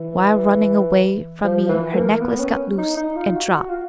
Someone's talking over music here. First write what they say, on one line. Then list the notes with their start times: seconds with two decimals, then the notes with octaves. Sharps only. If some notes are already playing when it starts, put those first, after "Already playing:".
While running away from me her necklace got loose and dropped.
Already playing: E3
1.44 F3
1.69 E3
1.95 A#3
2.20 B3
2.39 C#4
2.78 D#4
2.97 D#4
3.16 F4
3.36 F#4
3.54 F#4
3.70 F4